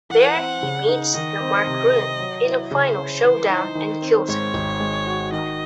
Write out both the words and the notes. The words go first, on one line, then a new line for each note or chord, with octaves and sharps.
There he meets the Makron in a final showdown and kills it.
E3 F#5
C4
C#3
D#4
D#3 D#5
C4
C3
C4
F#3
E4
C#3 C5
C#4
E3
D#4
D#3
C4
G#2 C#5
G#1
G#3
F#4
D#3 D#5